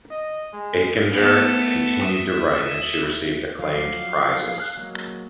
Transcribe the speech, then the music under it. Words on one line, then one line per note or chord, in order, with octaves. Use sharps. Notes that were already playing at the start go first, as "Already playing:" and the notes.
Aichinger continued to write and she received acclaimed prizes.
D#5
G#3
A3 B3
E5 D#6
F3 F#3 D5 F5
G#4 F6 F#6
F#3 G#3 A#3